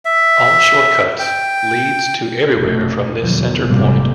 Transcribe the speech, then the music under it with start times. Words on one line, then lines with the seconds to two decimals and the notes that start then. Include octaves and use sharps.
All short-cuts leads to everywhere from this center point.
0.05 E5
1.19 G5
2.54 F1 F2 B2 A3
3.20 E2 B2 D3 F3 F#3
3.66 F#1 G#2 C3 G3 A3 A#3